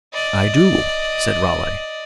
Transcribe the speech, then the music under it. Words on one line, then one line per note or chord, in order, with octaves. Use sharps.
"I do," said Raleigh.
D5 D#5